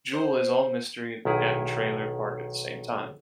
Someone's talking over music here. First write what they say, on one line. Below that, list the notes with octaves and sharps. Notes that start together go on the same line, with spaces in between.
Jewel is all mystery and trailer park at the same time.
C5
B1 D#3 E4 G#4